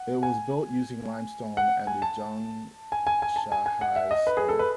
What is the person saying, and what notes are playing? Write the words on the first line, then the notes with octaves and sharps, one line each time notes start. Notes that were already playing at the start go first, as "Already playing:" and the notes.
It was built using limestone and the Jung Shahi stone.
Already playing: F#5
G#5
F#5
G#5
A5
G#5
G#5
G#5
A5
G#5
G#5
F#5
E5
D#5
B4
G#4
A4
B4